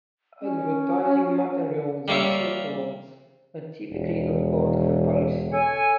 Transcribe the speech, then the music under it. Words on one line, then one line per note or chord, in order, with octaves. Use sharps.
Advertising materials and circulars are typically not part of a policy.
C#4
G3 A#3 F4 C#5 E5
E1
A4 C#5 G#5